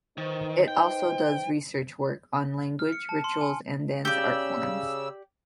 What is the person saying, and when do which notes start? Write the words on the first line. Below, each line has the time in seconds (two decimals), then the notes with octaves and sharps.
It also does research work on language, rituals, and dance art forms.
0.18 D#3 D#4 B4 C5
0.68 G5
2.79 F6
2.92 C#7
3.09 A5
3.24 C6
3.41 G#5
4.05 C#3 G4 D5 E6